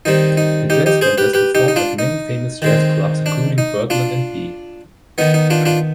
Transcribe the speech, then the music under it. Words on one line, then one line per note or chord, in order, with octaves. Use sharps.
The Jazz Band has performed at many famous jazz clubs including Birdland and B.
D#3 G3 C4 D#4
D#4
D#4 G4
D#4 G4
G#4 C5
G4 B4
G4 B4
D#4 G4
D#4
D4 F4
D#4
D#3 G#3 C4
D4
D#4
D4 F4
D#3 B3 D#4
D#4
D4 F4
D4 F4